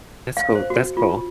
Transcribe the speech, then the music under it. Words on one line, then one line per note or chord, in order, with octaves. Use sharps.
That's cool, that's cool.
F5
C5
F#4
F4